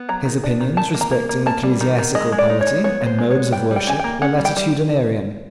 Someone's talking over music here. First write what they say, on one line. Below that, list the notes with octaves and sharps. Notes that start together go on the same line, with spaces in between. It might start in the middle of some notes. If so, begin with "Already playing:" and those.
His opinions respecting ecclesiastical polity and modes of worship were latitudinarian.
Already playing: B3
F#3 A#5
D#3
D4
D#3
D#3 A5
A#3
A#5
A#3
A#3
A#3 A5
G3
D#3
D#3
G#3 D#5
G#3
D5
D#4
C#5
G#3
B3 C#5
B3
C5
G#3
B3 C#5
G3 G5
G3
G5
C#4 G#5
A#3 G5
C#4 F#5
G3
G5
G3